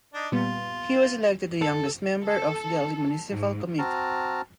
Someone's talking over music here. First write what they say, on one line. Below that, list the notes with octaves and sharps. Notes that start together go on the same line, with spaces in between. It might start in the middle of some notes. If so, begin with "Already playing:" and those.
He was elected the youngest member of Delhi Municipal Committee.
D4 D#4
A#2 G3 B3 F4
A4
A4
G#2
C4 F#4 A5 A#5 F6